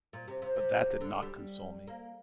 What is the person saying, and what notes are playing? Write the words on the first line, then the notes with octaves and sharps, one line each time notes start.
But that did not console me.
A#2
C3
C3
C3
D3
G3
A#3